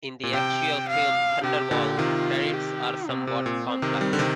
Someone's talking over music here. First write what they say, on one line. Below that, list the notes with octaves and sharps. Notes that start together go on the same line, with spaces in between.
In the actual film "Thunderball", credits are somewhat complex.
A#2
C3 G5
F5
C3 G4
A#2 D3
C3 D#3 F4
G4
C3 C4
C3
A#2
C4
C3 D#3
D#3 G3
D3
C3 D#3